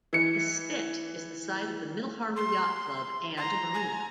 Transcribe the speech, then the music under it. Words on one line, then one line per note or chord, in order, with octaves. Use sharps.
The Spit is the site of the Middle Harbour Yacht Club and a marina.
E3 C#7
C6
A#5 C6
G#5